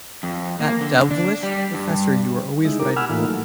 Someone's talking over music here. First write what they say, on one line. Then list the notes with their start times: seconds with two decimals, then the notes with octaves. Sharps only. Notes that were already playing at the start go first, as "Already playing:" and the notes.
That devilish Professor you were always writing about.
0.23 F2
0.60 A#3
0.81 D3
1.11 D4
1.43 G3
1.74 G2
2.65 G#3 D#4 E4
2.80 G4 A#4 D6
2.96 F#5 G#5 B5 E6 F6
3.09 A2 E3 A#3 D#4 F4
3.28 F#3 A3